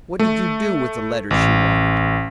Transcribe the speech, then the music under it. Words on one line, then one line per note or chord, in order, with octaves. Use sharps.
"What did you do with the letters she wanted?"
A3
A1